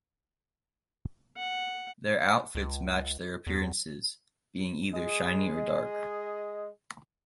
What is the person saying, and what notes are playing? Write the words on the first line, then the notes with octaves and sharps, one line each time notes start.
Their outfits matched their appearances, being either shiny or dark.
F#5
C#2
E2
G#3 G#4 D#5